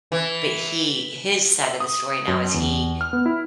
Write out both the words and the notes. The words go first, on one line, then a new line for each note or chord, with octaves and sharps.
but he his side of the story now is he
E3
E5
D#6
F#2
E2
F6
B3
E4